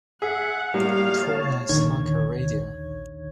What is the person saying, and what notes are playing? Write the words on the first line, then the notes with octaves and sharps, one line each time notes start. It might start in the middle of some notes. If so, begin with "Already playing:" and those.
Turn on Slacker radio.
G#4 E5 F#5
A2 G3 A#3 F5
C#5 A5
A#1 D#2 D3 D#3 C#5 G#6